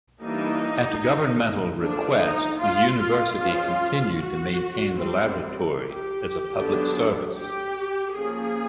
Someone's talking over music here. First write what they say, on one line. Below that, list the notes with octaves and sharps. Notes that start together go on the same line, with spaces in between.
At governmental request, the University continued to maintain the Laboratory as a public service.
E3 G3 A#3 D4 D#4
D3 F3 A#3 D4
D#4
F4
F4
F3 G#3 C#4
F#4
G3 C4
G4
D3 F#3 B3 D4
G4
F3 A#3 C#4 G#4